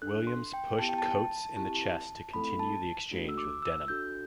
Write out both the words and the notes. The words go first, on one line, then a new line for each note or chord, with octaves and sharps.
Williams pushed Coates in the chest to continue the exchange with Denham.
D4 A4 F#6
C6
G5
B3 E4 G4 A5
G5
A5
C4 E4 G4 A5
A3 C4 E4 A4 B5
A5
A3 D4 F#4 A4
E6
D6
E6
D4 F#4 A4 G6